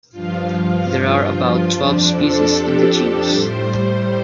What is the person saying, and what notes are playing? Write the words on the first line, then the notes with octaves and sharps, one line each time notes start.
There are about twelve species in the genus.
G2 F3 F4
F2 F3 D4
A4
G4
A4
A2 G3 C5
C5